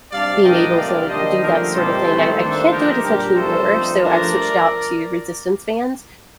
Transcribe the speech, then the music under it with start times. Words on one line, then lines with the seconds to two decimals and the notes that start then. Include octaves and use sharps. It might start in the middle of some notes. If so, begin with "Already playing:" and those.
being able to do that sort of thing, I I can't do it as much anymore, so I've switched out to resistance bands
0.12 C3 G3 D4 D5 F5
0.44 A2 F3 A#3 D4 D#5 G5
0.77 C3 G3 A#3 D4 D5 F5
1.09 D#3 G3 A#3 D4 C5 D#5
1.41 D3 F3 A3 C4 G4 A#4
1.73 A#2 G3 C4 D#4 A4 C5
2.07 D#3 A3 C4
2.39 G2 D#3 A#3 D4 A4 C5
2.71 D3 F3 A#3 D#4 G4 A#4
3.03 A#2 G3 D4 G4 A#4
3.36 C3 F3 A3 D4 A4 C5
3.68 G2 F3 C4 D#4
4.00 G2 F3 A3 D4 A#4 D5